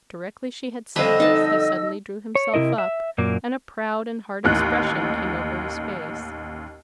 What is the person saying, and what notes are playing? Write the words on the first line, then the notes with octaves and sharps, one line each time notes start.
But directly she had said this he suddenly drew himself up, and a proud and hard expression came over his face.
F2 D3 G3 D#5 F5 B5 E6
D#4 A5
C#5
C3 F3 E4 A#4 D#5
E5
F#2 A#2 A#3
A1 D#2 F#6